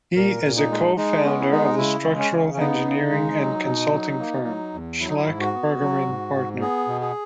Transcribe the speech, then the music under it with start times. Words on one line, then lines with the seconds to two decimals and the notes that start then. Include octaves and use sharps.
He is a co-founder of the structural engineering and consulting firm schlaich bergermann partner.
0.16 A#2 A#4
0.44 A#2
0.56 D#4
0.71 G#3
0.96 G#3 D#4
1.24 B3 C#4
1.40 E4
1.51 G#3 D#4
1.78 C#3 E4
2.05 G#3
2.19 C#4
2.32 C#3
2.54 C#4
2.58 B3 D#4
2.85 C#3
3.12 G#3
3.40 F#3
3.66 B2
3.92 F#3
4.20 A#3
4.46 F#3
4.74 E2
5.00 F#3 E4
5.08 D#4
5.16 E4
5.26 G#2
5.40 F#4
5.55 B3
5.81 F#3
6.08 G#2
6.35 G#2
6.61 B3 G#4
6.88 B2
7.01 G#4